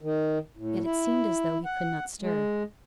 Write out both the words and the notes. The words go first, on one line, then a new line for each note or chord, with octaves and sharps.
Yet it seemed as though he could not stir.
D#3
A2
E4
F#5
G#3